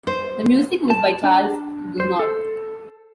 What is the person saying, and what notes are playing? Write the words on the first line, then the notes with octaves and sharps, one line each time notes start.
The music was by Charles Gounod.
C5
A5
D4
C5
A4